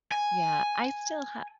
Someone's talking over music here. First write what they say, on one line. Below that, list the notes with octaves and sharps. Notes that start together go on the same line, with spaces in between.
Yeah. I still ha
G#5